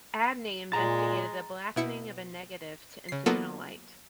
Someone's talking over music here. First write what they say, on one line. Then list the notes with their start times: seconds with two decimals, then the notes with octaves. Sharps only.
Abney investigated the blackening of a negative to incidental light.
0.72 A#2 G#3 A#5 A6
1.76 B2 E4 C#7
3.09 C#3 C7
3.26 F#3 A#3 B3 D#4 F4 A4